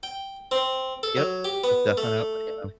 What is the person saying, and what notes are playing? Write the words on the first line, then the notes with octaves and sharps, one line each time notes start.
Yep. Most definitely am.
G5
C4
A4
F#3
G4
B3
A3